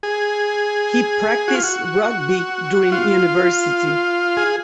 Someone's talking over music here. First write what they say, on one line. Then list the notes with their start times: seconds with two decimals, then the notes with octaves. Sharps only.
He practiced rugby during university.
0.03 G#4
1.48 F#4
1.55 F4
1.63 F#4
2.92 F4
4.37 G#4